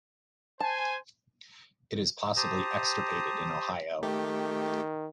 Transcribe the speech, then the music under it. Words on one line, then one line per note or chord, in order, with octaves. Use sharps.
It is possibly extirpated in Ohio.
C5 G#5 A5
G4 C5 A5 A#5 D#6
D#3 A3 G4